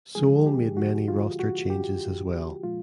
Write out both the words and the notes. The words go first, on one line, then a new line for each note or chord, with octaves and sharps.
Seoul made many roster changes as well.
D3 F3 G#3 G#4
G4
F#4
F4
F#4
G4
A#2 F3 G#3 F4